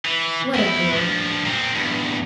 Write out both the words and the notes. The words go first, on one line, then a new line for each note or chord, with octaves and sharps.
What a girl!
E3
E2 E4
G2 F3
A#2 C4
E2 G2